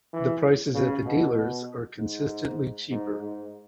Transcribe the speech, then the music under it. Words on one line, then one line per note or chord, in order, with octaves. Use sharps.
The prices at the dealers are consistently cheaper.
E3
C#3
B2
B2
G#2
G#2
G#2